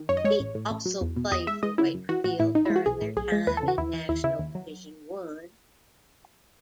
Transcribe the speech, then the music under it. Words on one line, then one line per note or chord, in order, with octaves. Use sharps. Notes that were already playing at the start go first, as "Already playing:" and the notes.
He also played for Wakefield during their time in National Division One.
Already playing: D#3
F#2 C#5
D#5
G#3 C#5
A1
A2
A1
F#3
E2
B2
E2 D#5
G#3 E5
G#3 D#5
C#3 E4
F#2
E3 F#4
A1 F#4
A2 E4
A1 D#4
E4
G#3
F#4
B1 G#4
A2
B1 G#4
G#3
D#2 B4
A4
C#3
F#4
D#2 E4
E3
D#2 E4
C#3 E4
D#2
F#3